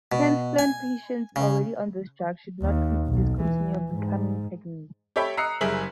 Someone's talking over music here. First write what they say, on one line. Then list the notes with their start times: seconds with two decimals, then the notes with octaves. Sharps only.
Transplant patients already on this drug should not discontinue on becoming pregnant.
0.12 B2
0.59 G#5
1.36 C#3
2.62 D#2
3.07 B1
3.41 E3
3.91 G#2
5.16 G4 A4 C#5 E5 G5 B5
5.37 A#5 D#6 E6 F#6 C7 C#7
5.61 F#1 G3 G#4 A#4 E5 F#7